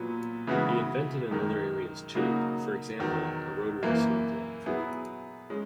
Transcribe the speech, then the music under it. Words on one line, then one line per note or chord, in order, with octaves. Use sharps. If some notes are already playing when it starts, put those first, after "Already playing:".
He invented in other areas too: for example, a rotary snowplow.
Already playing: A#2 F#3 B3
C#3 E3 G#3 B3 F#4
F#2 D#3 G#3
C#3 F#3 A#3 D#4 F#4
E2 D#3 F#3
F#2 E3 A#3
F#3 B3 E4 G#4
G#3 C#4